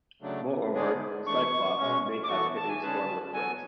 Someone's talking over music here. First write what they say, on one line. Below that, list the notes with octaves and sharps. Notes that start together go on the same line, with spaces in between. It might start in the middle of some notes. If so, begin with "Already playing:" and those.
Moreover, "Cyclops" may have hit a storm with winds.
C#3 F#3 A3 D4
D3 G#3 B3 D4 G#4
E3 A3 D4 C#6
B2 G#3 C#4
D6
E3 B3 F#4 A4 C#6
A5
G#5
D3 G#3 C#4 G#4 B4 A5
F#3 B3 F#4 A4 G#5